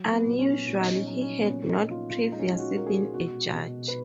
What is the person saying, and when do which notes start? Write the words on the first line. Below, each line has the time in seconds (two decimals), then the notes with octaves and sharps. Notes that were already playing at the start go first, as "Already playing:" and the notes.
Unusually, he had not previously been a judge.
Already playing: F#3
0.12 B3
0.26 A#2
0.39 C#4
0.66 A#2 C#4
0.80 D#4
0.93 C#4
1.07 F#3 D#4
1.21 C#4
1.40 B3
1.49 A#2 C#4
1.69 D#4
1.90 A#2 F4
2.10 F4
2.32 G#3 D#4
2.39 C#4
2.48 D#4
2.59 F#4
2.73 G#3 A#4
2.86 G#4
3.14 B2 F#4
3.56 B2
3.88 B4